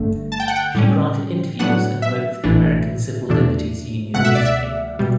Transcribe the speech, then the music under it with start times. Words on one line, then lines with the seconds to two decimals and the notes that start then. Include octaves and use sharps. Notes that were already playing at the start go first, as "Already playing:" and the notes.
She granted interviews and wrote for the American Civil Liberties Union newspaper.
Already playing: G1 G2 D3 A3
0.32 A5
0.40 G5
0.48 F#5
0.56 G5
0.75 A2 G3 C#4
1.59 A2 F#3 B3 D4 F#5
2.02 E5
2.44 A1 A2 E3 A3 D4
3.29 E2 B2 A3 D4
4.14 C#2 B2 A3 F#5
4.25 E5
4.35 D5
4.45 E5
4.99 B2 G3